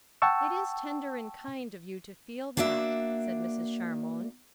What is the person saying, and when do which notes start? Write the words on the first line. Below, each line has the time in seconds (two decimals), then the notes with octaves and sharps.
"It is tender and kind of you to feel that," said Mrs. Charmond.
0.22 F#5 G5 A5 C#6 E6
2.57 A#3 D4 F#4 D5 E5